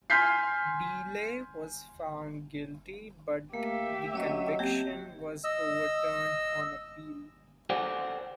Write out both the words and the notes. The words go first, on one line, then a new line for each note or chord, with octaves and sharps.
DeLay was found guilty, but the conviction was overturned on appeal.
G#5 C6 F6 G6 B6 C7
A3 A#3 G4 E5
F#3 A#3 C#4 C#5 D#5
A#3 C4 G4 D#5
D#5 E6
A4 C5 D5 F#5 G5